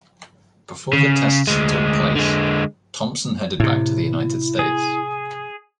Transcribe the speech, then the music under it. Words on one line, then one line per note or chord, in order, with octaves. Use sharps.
Before the tests took place, "Thompson" headed back to the United States.
C#3
D2 G#3
D3 G#3
A2 C3 E4
G#4